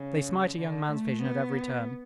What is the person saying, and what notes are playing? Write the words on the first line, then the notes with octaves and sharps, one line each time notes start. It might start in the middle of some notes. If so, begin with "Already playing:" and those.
They smite a young man's vision at every turn.
Already playing: C#3
D3
A3
B3